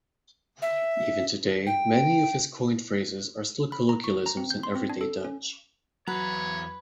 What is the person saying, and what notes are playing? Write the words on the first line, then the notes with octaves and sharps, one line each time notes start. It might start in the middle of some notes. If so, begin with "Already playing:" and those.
Even today many of his coined phrases are still colloquialisms in everyday Dutch.
E5
G5
B5
A#5
C#6
A#5
C4
G6
C6
C4
D4
A4
C#4
E2 F#3 B4 C#5 A#5